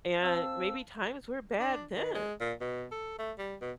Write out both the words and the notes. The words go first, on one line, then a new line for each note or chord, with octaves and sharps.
And maybe times were bad then,
C4 F5 A5 E6
D4
D#3
G#3
A#2
B2
A4
A3
G3
B2